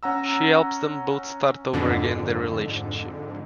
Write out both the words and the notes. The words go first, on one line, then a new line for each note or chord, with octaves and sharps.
She helps them both start over again their relationship.
C#4 F#5 A#5 E6
F2 G#2 D3